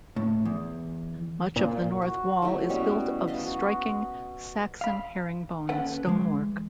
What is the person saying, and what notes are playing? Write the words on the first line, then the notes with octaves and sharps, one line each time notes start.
Much of the north wall is built of striking Saxon herringbone stonework.
A2
E2
A#2
F#4
F#3 A3 E4 G4
B2 G3 C#4
B4 D#5 F5 A5
F#4
F5 B5
D#2 C#4 A4 B4 F#5
E3 G#3